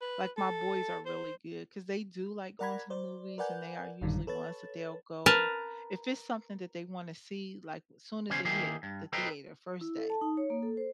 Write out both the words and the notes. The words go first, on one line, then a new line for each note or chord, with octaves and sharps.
Like, my boys are really good 'cause they do like going to the movies and they are usually ones that they'll go. If it's something that they want to see like soon as it hit the theater, first day,
B4
A4
C5
A#4 D5 F#5 A#5 B5 G#6
C5 D5
A#4 B4 D5 F#5 G#5 G6
A1 F#2 A#2 D3 D#3 G3
A4 B4 C#5 A6
A#4 B4 A5
E2 C#3 G3 C#4 C5 G#5
D#3 A#3 E4 G4 G#4
G2
A4 B4 C5 D#5 G5 A#5
E4
A4
A5
D#4
C#5
A#3
A4
C5